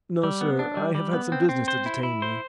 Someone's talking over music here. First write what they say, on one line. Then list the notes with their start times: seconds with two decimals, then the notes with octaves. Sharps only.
"No, sir; I have had some business to detain me."
0.23 G3
0.41 B3
0.59 D4
0.77 G3
0.95 G3
1.13 B3
1.32 C4
1.49 C4
1.68 C5
1.86 E4
2.03 E4
2.22 C5